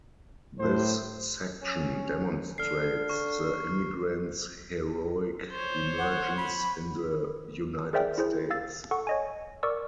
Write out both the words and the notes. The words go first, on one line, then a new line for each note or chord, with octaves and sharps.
This section demonstrates the immigrants' heroic emergence in the United States.
A2 C5
C#4
D3 F6 C7
C#6
C5 C#5
F#5
B5
G#4 A#4 C5 D5 E5 G5
E4 G#4 C5
F5 E6 A6
A4 F#5 C#6
C#5 D#5 G#5
A#4 D5 C#6 D6 E6